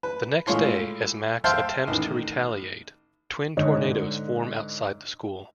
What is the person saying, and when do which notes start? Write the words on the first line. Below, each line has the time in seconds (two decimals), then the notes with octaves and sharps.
The next day, as Max attempts to retaliate, twin tornadoes form outside the school.
0.03 B4
0.47 A2 G#3 F4 C#5 C6
1.44 C5 E5 F5 G5 A5 C6
1.87 A1 D#3
3.57 G#2 D3 C#5 D#5